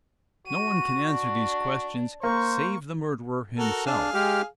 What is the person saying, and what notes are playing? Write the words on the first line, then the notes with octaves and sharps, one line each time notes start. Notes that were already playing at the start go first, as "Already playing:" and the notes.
No one can answer these questions, save the murderer himself.
F#4 D#7
D4
A#3 C5 C#6
F#4 A4 A#4
D4 G#4 F5
G#3 G4 F6